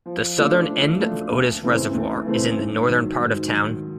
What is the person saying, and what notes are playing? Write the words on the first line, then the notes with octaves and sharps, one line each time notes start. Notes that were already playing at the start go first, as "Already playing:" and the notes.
The southern end of Otis Reservoir is in the northern part of town.
F3
A3 D4 F4 A4
F3
A3 D4 F4 A4
D2
C#3 E3 A3 C4
D2
C#3 E3 A3 C4
G#2
D#3 F#3
G#2
D#3 F#3